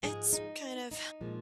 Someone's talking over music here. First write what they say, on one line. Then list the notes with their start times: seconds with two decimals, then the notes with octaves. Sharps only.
It's kind of
0.03 G#2 F3 G#3 G#4
0.33 D#4
0.91 D#4
1.21 A#2 F3 G#3